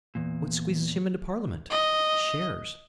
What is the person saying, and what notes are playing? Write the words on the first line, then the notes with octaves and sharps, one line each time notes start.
What squeezes him into Parliament? Shares.
E2 A#2
D#5